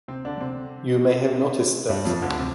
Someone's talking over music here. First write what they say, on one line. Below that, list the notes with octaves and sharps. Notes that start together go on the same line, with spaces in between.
You may have noticed that.
C3 C4
D3 D4
C3 C4
G2 G3
F2 F3
D2 D3
C3